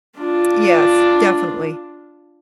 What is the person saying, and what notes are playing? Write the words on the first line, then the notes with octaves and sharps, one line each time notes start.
Yes. Definitely.
D4 F4